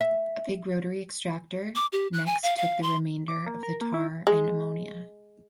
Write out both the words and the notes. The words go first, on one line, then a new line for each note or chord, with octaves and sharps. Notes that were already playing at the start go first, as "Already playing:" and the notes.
A big rotary extractor next took the remainder of the tar and the ammonia.
E5
D6
G4
F#6
G#5
F5
F5
C6
D6
A#3
A#4
A#3
E4
G#3